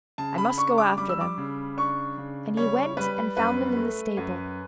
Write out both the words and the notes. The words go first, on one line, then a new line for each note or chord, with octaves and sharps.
'I must go after them.' And he went and found them in the stable.
C#3 A5
B5
D4 C#6
D6
G3 D6
E6
D6
C#3
D4 C#6
C#3
G3 C#5
G3 B4
F#2 B4
A3
F#2